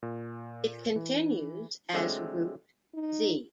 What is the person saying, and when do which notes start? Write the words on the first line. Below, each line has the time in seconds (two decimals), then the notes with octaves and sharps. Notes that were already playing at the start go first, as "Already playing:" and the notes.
It continues as Route Z.
0.03 A#2
0.96 E3
1.93 D3 F#3 G#3 A3 C4
2.94 D#4